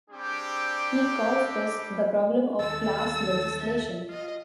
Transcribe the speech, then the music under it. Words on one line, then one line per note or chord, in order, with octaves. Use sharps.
He calls this the problem of class legislation.
G3 C4 D4 G4 G#4 G5
D#2 A4 A5 E6
E5
F4 D#5